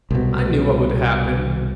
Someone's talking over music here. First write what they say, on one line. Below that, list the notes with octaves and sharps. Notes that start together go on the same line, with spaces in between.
I knew what would happen.
C2 B2